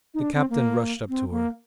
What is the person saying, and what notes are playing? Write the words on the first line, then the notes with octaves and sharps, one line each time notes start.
The captain rushed up to her.
D#4
D4
C4
A#3
C4
A#3